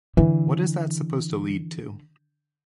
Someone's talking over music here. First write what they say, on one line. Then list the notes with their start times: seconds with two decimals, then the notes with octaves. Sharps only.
What is that supposed to lead to?
0.17 D3 E3